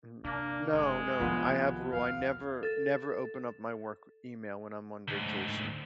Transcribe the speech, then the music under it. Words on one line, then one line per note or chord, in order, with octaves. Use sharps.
Mm no no, I have a rule, I never, never open up my work email when I'm on vacation,
C3 A#3 D4
F#1 G#3
C2 D#3 F3 B3 F4
D#2 F5
A4 A6
D2 G#2